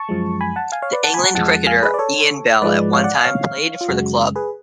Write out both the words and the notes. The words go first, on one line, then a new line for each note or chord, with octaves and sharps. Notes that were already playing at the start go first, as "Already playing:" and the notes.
The England cricketer Ian Bell at one time played for the club.
Already playing: A5 C#6
F#2 F3 G#3
G#5 B5
F#5 A5
F5 G#5
C#5 F5
B4 D5
F#5 A5
G#5 B5
F#5 A5
F2 F3 G#3 F#5 A5
F5 G#5
G#4 B4
D5
A4 C#5
G#2 F3 G#3 B4 D5
C#5 F5
D5 F#5
F5 G#5
C#5 F5
F4
F#2 C#3 G#3 F#4
G#4 B4